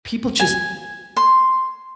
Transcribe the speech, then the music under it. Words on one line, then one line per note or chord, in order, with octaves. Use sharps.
people just
G#5
C6